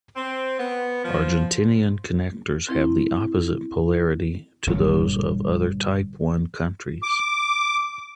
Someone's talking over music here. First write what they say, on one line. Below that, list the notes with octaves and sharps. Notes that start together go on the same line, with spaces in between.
Argentinean connectors have the opposite polarity to those of other Type One countries.
C4
B3
F3
C4 E4
G1 G2 A#2 F#3
D6